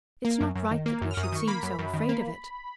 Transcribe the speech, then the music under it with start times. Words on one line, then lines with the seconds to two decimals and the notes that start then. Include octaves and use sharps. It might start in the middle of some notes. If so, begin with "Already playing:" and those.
It's not right that we should seem so afraid of it.
0.25 A#3
0.40 F#2
0.55 F#2
0.71 D#3
0.86 A#3
1.02 F#2
1.11 F6
1.17 F#2
1.23 D#6
1.32 D#3 C#6
1.47 A#3 B5
1.63 F#2
1.79 F#2
1.94 D#3
2.09 A#3